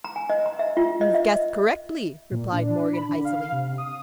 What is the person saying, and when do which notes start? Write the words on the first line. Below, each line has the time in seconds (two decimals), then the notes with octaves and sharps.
"You have guessed correctly," replied Morgan, icily.
0.04 A#5
0.16 G#5
0.30 D#5
0.46 A#5
0.59 E5
0.77 F4
1.01 D#5
1.14 E5
2.31 A#2
2.52 D4
2.93 B5
3.09 D3
3.25 F5
3.52 C3
3.78 D#6